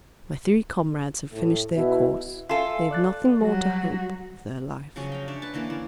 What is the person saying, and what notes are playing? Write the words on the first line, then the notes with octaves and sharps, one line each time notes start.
My three comrades have finished their course; they have nothing more to hope of their life.
A2
B2 E4
F4 A4 E5 G#5 C6
D5 F#6 A6
F#3 G3 F#4
C#3 F3 F#3 C#4
G5 A#5
D4 C#5 E5
B4 A5
D3 E3 A#3 C#4
E4 A#4